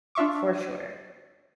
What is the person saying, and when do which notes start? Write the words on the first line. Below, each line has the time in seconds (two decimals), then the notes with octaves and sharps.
For sure.
0.15 D4 F4 E5 C#6 D6